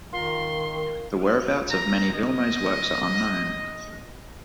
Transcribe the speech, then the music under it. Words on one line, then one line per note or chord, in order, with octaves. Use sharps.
The whereabouts of many of Vilmos's works are unknown.
D#3 F4 A#4 A#5 C6
A#5
D#5